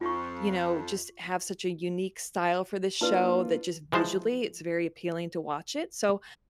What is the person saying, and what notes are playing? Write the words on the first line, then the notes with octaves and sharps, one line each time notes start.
you know, just have such a unique style for this show that just visually it's very appealing to watch it, so
F2 F4 C#6
A#3 D4 E4 F4 B4 A5
E3 F3 G#3 C5 A5